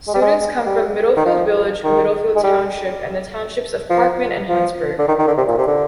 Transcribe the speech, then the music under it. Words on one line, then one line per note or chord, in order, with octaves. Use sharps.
Students come from Middlefield village, Middlefield township, and the townships of Parkman and Huntsburg.
G#3
G3
G#3
G3
D#3
F3
D#3
G#3
G3
F3
F3
D3
D#3
D#3
D3
C3
A#2
C3
D3